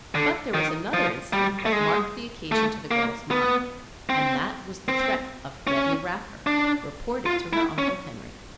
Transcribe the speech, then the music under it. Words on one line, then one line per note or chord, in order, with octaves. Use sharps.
But there was another incident that marked the occasion to the girl's mind, and that was the threat of Gedney Raffer, reported to her Uncle Henry.
D3
D#3
F3
G3
A3
G#3
A3
A#3
B3
C4
C4
C#4
D4
F4
E4
C#4